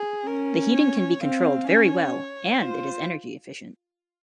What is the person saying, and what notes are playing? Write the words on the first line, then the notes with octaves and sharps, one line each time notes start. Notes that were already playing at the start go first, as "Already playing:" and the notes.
The heating can be controlled very well, and it is energy efficient.
Already playing: G#4
C#4 A#4
C#5
C4 F5
C#4 C#5
F4 C5